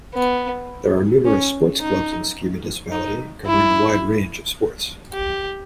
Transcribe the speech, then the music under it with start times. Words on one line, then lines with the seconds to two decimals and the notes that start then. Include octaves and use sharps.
There are numerous sports clubs in Ski municipality, covering a wide range of sports.
0.15 B3
1.25 C#4
1.80 D#4
2.92 D#4
3.47 E4
5.13 G4